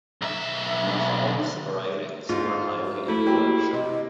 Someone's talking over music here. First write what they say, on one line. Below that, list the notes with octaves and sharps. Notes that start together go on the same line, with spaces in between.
Mahan's writings were highly influential.
B1 E5
G#2 F4
F#4
A3 E4
A#3 G4
C3 D#5